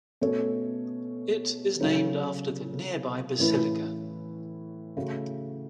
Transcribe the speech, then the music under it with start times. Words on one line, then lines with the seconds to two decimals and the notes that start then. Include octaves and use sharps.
It is named after the nearby basilica.
0.21 B2 A3 C#4 A4 C#5
1.80 C#3 F#3 C#4 A4
3.38 A2 E3 C#4 E4 B4
4.97 C#3 A3 F#4